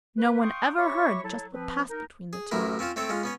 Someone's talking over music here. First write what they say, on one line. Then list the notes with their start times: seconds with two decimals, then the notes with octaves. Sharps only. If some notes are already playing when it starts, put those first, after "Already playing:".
No one ever heard just what passed between the two.
0.18 B4
0.41 F5 G5 C6 C#6 D#6
0.77 F#4 C#5 E5 B5 C#6 D6
1.24 F#3 E4 A4
1.53 F3 C4 B4
1.89 D#4 A#4
2.33 G#4
2.51 A1 F#2 A2 E4 A#4
2.79 C4 C#4 F4 C5
2.96 A3 C4 A4 C#5 G5
3.09 G#3 C#4 F4
3.24 B3 C#4 C#5